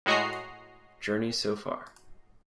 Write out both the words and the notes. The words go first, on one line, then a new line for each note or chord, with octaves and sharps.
"Journey So Far".
A2 G#3 F#4 D#5 A#5 C7